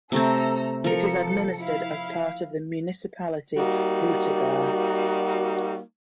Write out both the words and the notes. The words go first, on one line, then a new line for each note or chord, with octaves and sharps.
It is administered as part of the municipality Grootegast.
C3 A3 C4 A4 A#5 E6
F3 A4 A#4 C#7
E4 F5
G3 A#3 D#4 F#4